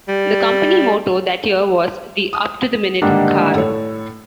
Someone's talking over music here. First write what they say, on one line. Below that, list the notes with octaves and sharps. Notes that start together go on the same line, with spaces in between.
The company motto that year was The Up-To-The-Minute Car.
G3
D#6
G#2 D3 D#3 G3 A#3 D4
A2 A4 C#5